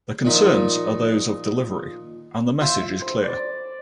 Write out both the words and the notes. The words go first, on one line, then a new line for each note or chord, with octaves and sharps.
The concerns are those of delivery, and the message is clear.
A#2 F3 D#4 A#5 B5
F4 C5 E5
C5
D5